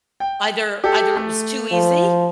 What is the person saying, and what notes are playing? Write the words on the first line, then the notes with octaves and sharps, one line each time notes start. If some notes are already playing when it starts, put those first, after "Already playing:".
Either either it was too easy,
G5
G4 A4
A3
F3